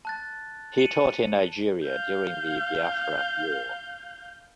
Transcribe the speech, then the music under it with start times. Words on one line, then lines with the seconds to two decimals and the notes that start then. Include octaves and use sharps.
He taught in Nigeria during the Biafra War.
0.05 A5 F#6 A6
0.78 C#7 D#7 E7 F#7
1.84 F5 G6